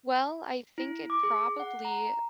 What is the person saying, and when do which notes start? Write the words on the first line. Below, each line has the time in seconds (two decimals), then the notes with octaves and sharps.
Well, I think it probably i
0.78 E4
1.10 D6
1.23 G#4
1.60 F#5
1.85 A#5